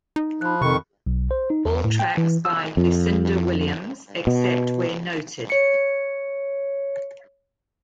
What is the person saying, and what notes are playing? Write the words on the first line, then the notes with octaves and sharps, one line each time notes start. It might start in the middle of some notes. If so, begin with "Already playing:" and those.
All tracks by Lucinda Williams except where noted.
D#4
F3 B5 F#6
F2 C3 D#3 C#6
B1
C5
D#4
E2
A2
G5
E3
E6
F2
B2
C#5 C#7